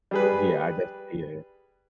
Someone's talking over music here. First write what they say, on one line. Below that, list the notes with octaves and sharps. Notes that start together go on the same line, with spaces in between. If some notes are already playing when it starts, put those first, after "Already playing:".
Yeah. I def yeah.
G3 G#4 B4